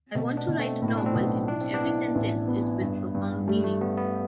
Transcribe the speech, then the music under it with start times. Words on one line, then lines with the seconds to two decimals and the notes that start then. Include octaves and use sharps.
I want to write a novel in which every sentence is with profound meanings.
0.15 B2 A3 C4
0.37 B3 D4
0.48 B2
0.59 A3 C4
0.82 A2
0.88 E4
0.98 D4
1.06 C4
1.15 B1 B3
1.48 D4 E4
1.61 C4
1.74 B3 D4
1.82 E4
2.15 A1
2.48 B3
2.81 G2
3.15 G2
3.48 G3 A3
3.64 A3
3.81 G3 B3
3.98 B3